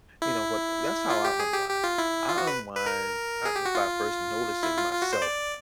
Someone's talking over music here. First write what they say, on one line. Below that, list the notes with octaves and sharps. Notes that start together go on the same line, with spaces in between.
You know what, that's how I unwind. I unwind, uh, by first noticing myself
E4
F4
G4
G#4
G4
G4
F4
E4
F4
F#4
B4
B4
A#4
G#4
G4
F#4
F4
E4
F4
F4
F#4
C5
D5